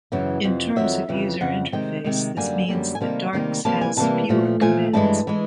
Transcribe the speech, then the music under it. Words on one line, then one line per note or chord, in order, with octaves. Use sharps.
In terms of user interface, this means that Darcs has fewer commands.
F#2 C#3 E3
F2 C3
F2 C3 D#3 F#3 E5
F2 C#3 E3
F2 C#3 F#5
C3 D#3 G#3 G5
C3 D#3 G#3
F#2 D3 G3 A#3 G#5
F#2 D3 G3 A#3
G#5
C3 D#3 G3 A#3 A5
C3 D#3 G3 A#3
C3 E3 G3 A#3 A5
G#5
C3 E3 G3 A#3 A5
A#2 F3 A3
A#2 F3 A3 G#5
G2 E3 G#3 A5
E3 G#3